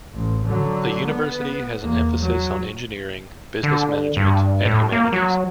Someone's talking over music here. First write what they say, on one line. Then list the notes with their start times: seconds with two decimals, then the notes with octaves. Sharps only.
The university has an emphasis on engineering, business management and humanities.
0.15 A1
0.46 D3 F#3
1.06 B3
1.83 E2 A#3
2.19 F#3
3.63 D3
4.17 G2
4.65 A2
4.92 A#3
5.12 F#3